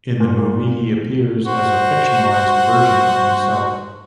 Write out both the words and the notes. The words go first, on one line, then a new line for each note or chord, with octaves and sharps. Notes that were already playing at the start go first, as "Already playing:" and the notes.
In the movie he appears as a fictionalized version of himself.
A#2
F#4 C5